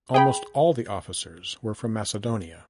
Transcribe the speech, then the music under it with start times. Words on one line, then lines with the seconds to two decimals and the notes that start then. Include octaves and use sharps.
Almost all the officers were from Macedonia.
0.14 G#4 G5 B5